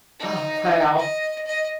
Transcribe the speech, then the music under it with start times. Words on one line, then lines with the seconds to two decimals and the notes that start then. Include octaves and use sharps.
Oh, wow.
0.20 D#4
0.98 D#5
1.47 D#5